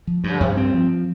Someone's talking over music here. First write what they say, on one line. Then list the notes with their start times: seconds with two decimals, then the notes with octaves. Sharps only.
Oh, yeah.
0.07 F3
0.24 G2
0.40 G2
0.57 C4
0.74 F3